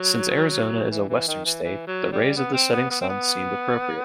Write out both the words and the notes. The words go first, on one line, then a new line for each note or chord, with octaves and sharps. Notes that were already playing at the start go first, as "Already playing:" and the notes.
Since Arizona is a western state, the rays of the setting sun seemed appropriate.
Already playing: F#3
E3
E3
D#3
E3
E3
F#3
G3
B3
C4
B3
B3
C4
B3